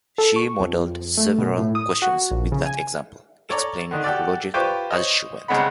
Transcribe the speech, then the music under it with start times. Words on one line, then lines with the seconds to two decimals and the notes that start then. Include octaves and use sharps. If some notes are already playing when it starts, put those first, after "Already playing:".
She modeled several questions with that example, explaining her logic as she went.
0.18 A4
0.36 C#6
0.60 F2
1.18 A3
1.39 B2
1.58 A2
1.75 D#6
2.02 F#4
2.31 A#1
2.52 C#3
2.66 G#5
3.49 A4 C#5 D5 A#5
3.91 D3 D#3
4.04 F#4 G4 A4 D5
4.54 F4 G4 B4 C5 C#6 D6
4.90 C5 C#5 D#5
5.48 C2 C#3 G#3 C4 F#5 B5